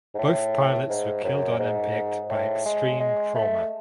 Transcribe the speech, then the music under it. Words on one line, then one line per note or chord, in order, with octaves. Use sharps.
Both pilots were killed on impact by extreme trauma.
G#2
A2
G#2
F#2
G#2
A2
G#3
G#3
A3